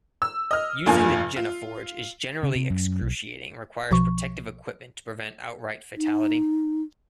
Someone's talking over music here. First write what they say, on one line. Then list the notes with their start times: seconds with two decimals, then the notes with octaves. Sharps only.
Using the Geneforge is generally excruciating and requires protective equipment to prevent outright fatality.
0.22 E6
0.51 D#5 F6
0.86 F1 G2 F3 A#3 G#5
1.36 F4
2.43 C#3
2.56 C3
2.70 F#2
3.01 B1
3.91 B1 B2 F3 C#6
5.97 D#4